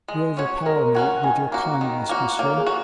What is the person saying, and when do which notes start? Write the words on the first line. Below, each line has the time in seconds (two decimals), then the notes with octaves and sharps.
"You overpower me with your kindness, monsieur."
0.08 G#3
0.37 C#4 F#4 C#5
0.66 G#3 A#4
0.95 C#4 F#4 C#5 F#5
1.23 D#3 G#5
1.52 A#3 F#4 A#5
1.81 D#3 A#5
2.00 A#5
2.09 A#3 F#4
2.39 A#3 C#5
2.58 G#4
2.67 F#4